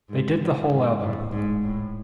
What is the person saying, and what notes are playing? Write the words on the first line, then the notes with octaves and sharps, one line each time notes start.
They did the whole album.
G#2
G#2
A2
G#2
A2